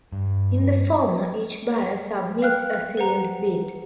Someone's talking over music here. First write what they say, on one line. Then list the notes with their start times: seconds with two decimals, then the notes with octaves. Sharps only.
In the former each buyer submits a sealed bid.
0.12 G2
2.42 F5 G5 F6 F#6
2.97 B4 C5 F#5 A#5